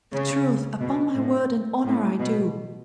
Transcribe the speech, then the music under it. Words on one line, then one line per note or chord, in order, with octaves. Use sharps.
'The truth, upon my word and honour I do.
C#3
B2
A2
A2
B2